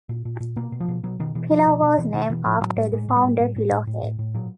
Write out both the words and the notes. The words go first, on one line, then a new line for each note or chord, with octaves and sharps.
Philo was named after the founder Philo Hale.
A#2
A#2
A#2
B2 A#3
B2
F3
B2
B2 F#3
B2 D#3
B2 E3
B2 F3
B2
B2
B2 E3
B2 D#3
B2 E3
A2 F3
A2 F#3
A2 G3
A2 G#3
A2
G3
A2
A2
A2
A2
A2
A2
A2
A#2 F#3